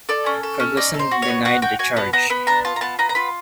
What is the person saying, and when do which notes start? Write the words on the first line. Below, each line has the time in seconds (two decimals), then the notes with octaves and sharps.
Ferguson denied the charge.
0.09 A4 D5
0.26 C#4
0.43 A4
0.60 C#4
0.77 D#4 D5
0.94 A4
0.99 C5
1.11 F#4
1.22 C#5
1.28 B3
1.45 F#4 F#5
1.62 F#4 G5
1.79 F#4 G#5
1.96 B3 A5
2.13 B3 A#5
2.30 B3 B5
2.47 D4 A#5
2.65 F4 A5
2.76 A#5
2.81 B3 A5
2.99 B3 A#5
3.09 A#5
3.15 F4 B5